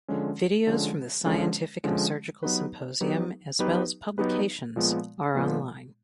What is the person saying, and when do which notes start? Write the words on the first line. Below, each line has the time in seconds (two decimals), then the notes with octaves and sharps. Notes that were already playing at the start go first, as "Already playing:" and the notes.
Videos from the scientific and surgical symposium as well as publications are online.
0.08 D3 F3 G#3 C#4
0.67 D3 F3 G#3 C#4
1.26 D3 F3 G#3 C#4
1.84 D3 F3 G#3 C#4
2.43 F#3 B3 D#4 G4 B4
3.01 F#3 B3 D#4 G4 B4
3.59 F#3 B3 D#4 G4 B4
4.18 F#3 B3 D#4 G4 B4
4.76 A#2 F3 G#3 B3
5.35 A#2 F3 G#3 B3